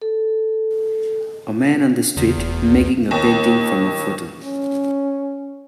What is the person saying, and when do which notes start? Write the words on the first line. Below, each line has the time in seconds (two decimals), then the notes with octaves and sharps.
A man on the street making a painting from a photo.
0.02 A4
2.17 E2 C#3
2.37 F1
2.71 C2
3.11 D#2
4.43 C#4